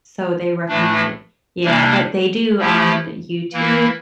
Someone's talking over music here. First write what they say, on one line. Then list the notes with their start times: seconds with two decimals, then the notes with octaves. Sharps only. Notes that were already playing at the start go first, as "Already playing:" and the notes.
so, they recommended Yeah, but they do on YouTube,
0.68 A2 E3 A3 D4
1.64 C3 G3 A#3 D4
2.58 F3 A3 E4 G4
3.53 E3 A#3 E4